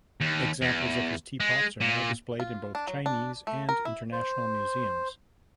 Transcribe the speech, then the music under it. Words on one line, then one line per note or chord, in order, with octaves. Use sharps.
Examples of his teapots are now displayed in both Chinese and international museums.
D#2
E2
G#3
A#2
F4
D4
F#3
D4
A3
A#4
E4
C5